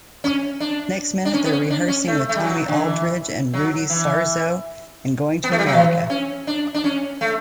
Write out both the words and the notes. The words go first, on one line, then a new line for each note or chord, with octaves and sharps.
Next minute, they're rehearsing with Tommy Aldridge and Rudy Sarzo, and going to America.
C#4
D4
D4
C#4
B3
C#4
D4
C#4
A3
A3
G3
F#3
D3
E3
F#3
E3
B3
A3
G3
F#3
E3
C#4
D4
D4
C#4
A3